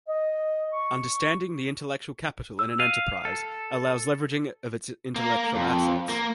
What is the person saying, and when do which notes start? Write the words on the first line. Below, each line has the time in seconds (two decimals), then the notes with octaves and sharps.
Understanding the intellectual capital in an enterprise allows leveraging of its intellectual assets.
0.08 D#5
0.73 C#6
2.59 E6
2.80 F5 D#7
3.25 A4
5.16 A#3
5.55 F2
6.09 A#3